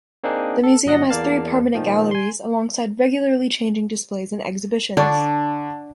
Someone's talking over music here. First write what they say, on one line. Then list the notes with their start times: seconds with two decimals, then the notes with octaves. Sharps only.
The Museum has three permanent galleries, alongside regularly changing displays and exhibitions.
0.24 A#3 C4 D4 D#4 G#4
0.63 A4
0.85 G1 F#3 D#5 F#5 A#6
1.10 E2 A#3 D5 F5 A5
1.75 A#2 D#3 F3
2.11 G#5 C6
4.97 D3 D4 C#6